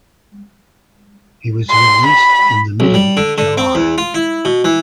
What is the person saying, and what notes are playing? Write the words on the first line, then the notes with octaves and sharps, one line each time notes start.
He was released in the middle of July.
C6
B5
B1
G3
D3
D3
C4
E2
F4
E4
B2
E3